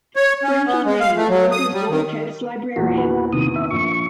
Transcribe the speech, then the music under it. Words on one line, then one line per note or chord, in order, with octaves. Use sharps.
Frankie Laine worked as Goldkette's librarian.
C#5
C#4
B3
G#3
F5
A3
F#3
D#6
G3
D#3
E2 A#2 A#3 F#4
F#4 B4
C3 D#3 D#6
E5
A#1 A#2 C#6